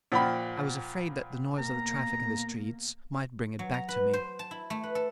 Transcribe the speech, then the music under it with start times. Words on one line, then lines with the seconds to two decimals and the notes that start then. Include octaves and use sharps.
I was afraid that the noise of the traffic in the streets might bring it back to me.
0.12 A#2 F3 F#5 G5 B5
1.58 B2 A#3 A#5
3.59 F#3
3.74 A#5
3.89 B4
4.13 C5
4.39 A5
4.51 E4
4.70 A3
4.83 B4
4.95 A4